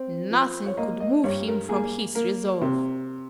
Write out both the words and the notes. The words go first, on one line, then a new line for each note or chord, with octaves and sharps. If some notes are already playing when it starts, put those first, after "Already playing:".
Nothing could move him from his resolve.
Already playing: C4
F3
C#5
A#3 D#5
D#5
G2 C#5
A#4
A#3 G#4
A#3 A#4
C3